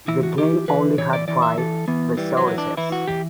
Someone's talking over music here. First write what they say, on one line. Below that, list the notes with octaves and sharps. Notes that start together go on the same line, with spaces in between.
The game only had five resources.
E3 E4
F#4
E3 G4
E3 B4
E3 C#5
D5
E3 D5
E5
E3 A4
E3 B3
E3 G3
F#3
E3
D4
E3 E4
F#4
E3 G4